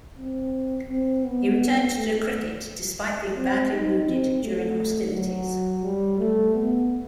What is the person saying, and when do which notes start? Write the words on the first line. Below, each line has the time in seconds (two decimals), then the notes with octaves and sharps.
He returned to cricket despite being badly wounded during hostilities.
0.18 C4
0.89 C4
1.24 B3
1.95 A3
3.36 C4
3.72 D#4
4.07 C4
4.42 A3
5.12 F#3
5.83 G3
6.19 A3
6.54 B3